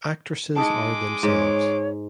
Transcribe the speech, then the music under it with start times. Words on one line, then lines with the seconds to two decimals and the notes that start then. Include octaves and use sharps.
Actresses are themselves.
0.56 G#3 D#4 G#4 A5 D6
1.23 G#2 C#5